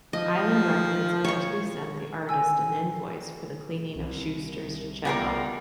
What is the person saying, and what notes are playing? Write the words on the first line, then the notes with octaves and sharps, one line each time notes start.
Island Records allegedly sent the artist an invoice for the cleaning of Schuster's cello.
F3 D#5
C#5 C#6
G5 G#5 E6
C2
G3 B3 F4 A#4 F#5